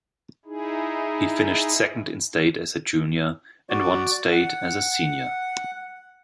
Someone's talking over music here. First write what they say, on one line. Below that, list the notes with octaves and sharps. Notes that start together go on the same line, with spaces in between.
He finished second in state as a junior, and won state as a senior.
D#4 E4 G#4
F#4 D5
F#5